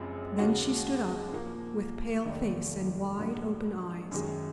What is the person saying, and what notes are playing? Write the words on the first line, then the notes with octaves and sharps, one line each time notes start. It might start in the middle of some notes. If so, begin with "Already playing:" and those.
Then she stood up, with pale face and wide-open eyes.
Already playing: F#1 F#2 F3 G#3 C4
D#2 C#3 G#3 C#4 F#4
A#2 F3 A#3
F1 D#2 D#3
A#1 G#2 F#3 A#3
F#2 D#3 G#3